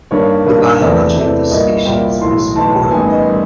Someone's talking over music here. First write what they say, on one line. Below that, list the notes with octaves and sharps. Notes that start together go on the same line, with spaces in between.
The biology of this species is poorly known.
G2 D#3 G3 A#3 C#5
G2 D#3 G3 A#3
E2 C3 E3 A3 D5
E2 C3 E3 A3
C2 A#2 G3 A#3 D#5
C2 A#2 G3 A#3 G5
B1 A2 E3 C6
B1 A2 E3 A5
A1 G#2 D#3 G3 B3 G#5
D#5
D#3 G3